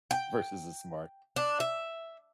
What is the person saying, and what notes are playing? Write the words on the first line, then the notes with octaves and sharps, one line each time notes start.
Versus the smart
G5
D4
E5